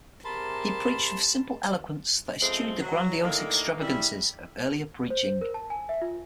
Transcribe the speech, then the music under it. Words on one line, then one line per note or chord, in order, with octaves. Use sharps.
He preached with a simple eloquence that eschewed the grandiose extravagances of earlier preaching.
C3 G#4 A#4 A5 B5 C6
C#3 F3 G#3 A3 C4
F#3
A2 D3 D#3 A#3
G3 G#3 D4 E4
C5
A#4
A5
G#5
E5
F4